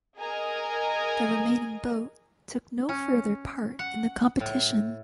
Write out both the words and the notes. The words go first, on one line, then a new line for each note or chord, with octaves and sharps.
The remaining boat took no further part in the competition.
G#4 A#4 D#5 G#5 A#5
C#4
F#5
A2